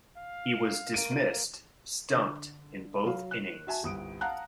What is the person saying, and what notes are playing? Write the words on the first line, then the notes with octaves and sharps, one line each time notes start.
He was dismissed stumped in both innings.
F5
A#3 D7 D#7
D3
F#3 F5
F#6 E7
F#4 E5 G#5 A5
G1 C2 D#6 D7
F5 F#5 A5 A#5 F#6